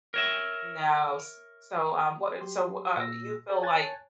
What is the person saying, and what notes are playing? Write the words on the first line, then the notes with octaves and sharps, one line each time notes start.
no, s so, um, what so, w uh, you feel like
A#4 C#5 E5
F#3 G4 C6
A#2 E6 A#6
G#4 C5 D5 G5
C#5 G#5 A5 F#6 G#6 A6